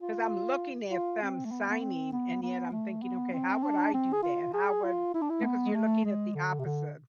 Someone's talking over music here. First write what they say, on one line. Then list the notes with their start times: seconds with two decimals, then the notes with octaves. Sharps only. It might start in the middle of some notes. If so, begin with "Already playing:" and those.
'cause I'm looking at them signing, and yet I'm thinking, "Okay, how would I do that? How would" you know, 'cause you're looking at the opposite.
0.01 F4
0.91 F4
1.22 C4
1.45 A3
1.51 B3
1.70 B3
1.81 C4
2.12 B3
2.43 B3
2.72 A3
3.02 B3
3.33 C4
3.63 D4
3.94 C4
4.13 G#4
4.23 F4
4.54 G#4
4.84 F4
5.15 E4
5.22 D4
5.30 E4
5.41 A3
5.44 B3
5.66 G#3
5.74 A3
6.05 G#3
6.35 D3
6.59 C3
6.65 D3